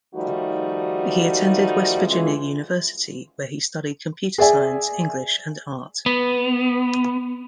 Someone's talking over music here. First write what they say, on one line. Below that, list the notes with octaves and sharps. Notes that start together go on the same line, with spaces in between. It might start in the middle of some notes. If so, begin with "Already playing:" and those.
He attended West Virginia University, where he studied computer science, English, and art.
D#3 F3 G3 A3 D#4 F#4
C#3 E3 G#3 F4
G#4 D5 E5 G#5
B3